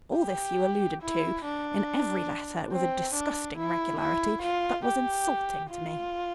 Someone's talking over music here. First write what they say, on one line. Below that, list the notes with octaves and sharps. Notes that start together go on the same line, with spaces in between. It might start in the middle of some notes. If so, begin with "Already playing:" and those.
All this you alluded to in every letter with a disgusting regularity that was insulting to me.
G4
E4
D4
C4
D4
E4
E4
F4
G4
F4